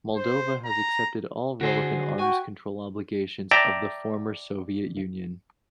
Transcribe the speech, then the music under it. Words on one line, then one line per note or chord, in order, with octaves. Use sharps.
Moldova has accepted all relevant arms control obligations of the former Soviet Union.
C5
A#5
D3 D4 F#4 G#4 C5
F#4 G5 G#5
D5 E5 G5 A5 A#5